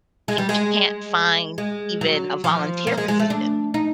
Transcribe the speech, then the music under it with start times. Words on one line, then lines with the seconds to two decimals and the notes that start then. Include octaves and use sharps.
and can't find even a volunteer position
0.28 G#3
0.38 G3
0.49 G#3
1.58 G#3
2.01 F#3
2.44 F3
2.87 A#3
2.98 G#3
3.08 G#3
3.19 A3
3.30 D4
3.74 D#4